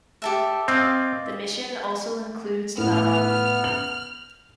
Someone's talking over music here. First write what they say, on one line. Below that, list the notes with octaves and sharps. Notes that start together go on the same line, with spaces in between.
The mission also includes Malawi.
G4 A4 E5
C4 D5 D#5 F5
A2 B3 F6
F#7